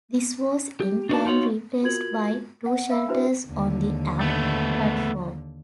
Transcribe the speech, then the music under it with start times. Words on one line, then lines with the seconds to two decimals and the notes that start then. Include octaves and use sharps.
This was in turn replaced by two shelters on the Up platform.
0.80 G4
1.09 D4 D#4 F#4 B4 D5 A5
1.26 D#4 F4 F#4 C#5
1.83 F4 F#4 A#4 G#6 F#7
2.66 F#5
2.89 E5 F5 B5 E6
3.08 D4 E4 F#4 B4 C5 E5
3.48 D#2 D3
4.21 A3 B3